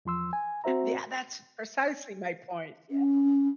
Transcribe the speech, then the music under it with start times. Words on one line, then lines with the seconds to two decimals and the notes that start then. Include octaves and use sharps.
Yeah. That's precisely my point. Yeah
0.05 E2 F3 C6 E6
0.33 G#5
0.64 C4 F#4 C5 E5 A#5
2.91 C#4